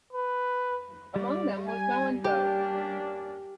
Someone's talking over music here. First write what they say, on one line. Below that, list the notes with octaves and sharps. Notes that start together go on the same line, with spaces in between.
Among them was Melantho.
B4
G3 D5
G#5
A#3 C#4 D4 G4